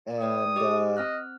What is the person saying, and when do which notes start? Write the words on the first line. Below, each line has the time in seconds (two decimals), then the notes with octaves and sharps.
and, uh,
0.21 B4 D5 G5 D#6
0.56 G4 D#5 D6
0.97 C4 D#5 F6 F#6